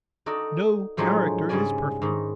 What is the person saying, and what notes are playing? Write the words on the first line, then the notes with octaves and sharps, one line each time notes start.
No character is perfect.
D#4 F#4 A4 D5
A2 F3 F#3 G#3 D4 G4
G#2 C#3 G3 C#4 D5 G#5
G#2 D#3